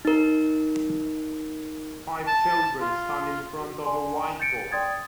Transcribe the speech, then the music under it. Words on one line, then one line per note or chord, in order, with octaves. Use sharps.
Five children stand in front of a whiteboard.
D#4 A#4
A5
F4
F#4
D5 G#5 C6
G6 A6 C#7 D7
D5 G5 C6 D#6 G#6 A6